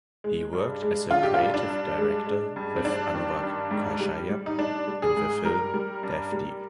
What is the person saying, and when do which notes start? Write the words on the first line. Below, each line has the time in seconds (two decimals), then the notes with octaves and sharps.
He worked as creative director with Anurag Kashyap in the film "Dev D".
0.24 G#3
0.53 G2
0.82 G#3
1.11 D3 F4
1.23 G4
1.34 F4
1.40 G2
1.54 D4
1.69 G2
1.98 G#3
2.27 G#3
2.56 G2
2.76 C4
2.85 G2 D4
3.14 D#3
3.43 G2
3.71 G#2
4.01 G3
4.29 G3
4.46 D#4
4.58 G3 D4
4.87 G3
5.02 G#4
5.17 G#2
5.45 G3 A#4
5.74 G3
6.03 G2
6.32 G3